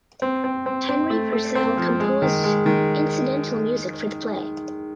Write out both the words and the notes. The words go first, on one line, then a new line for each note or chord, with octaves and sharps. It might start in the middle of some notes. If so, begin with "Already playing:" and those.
Henry Purcell composed incidental music for the play.
C4
C4
C4
C4
A3
A3
C4
F3
G#3
D#3
G#3
D#3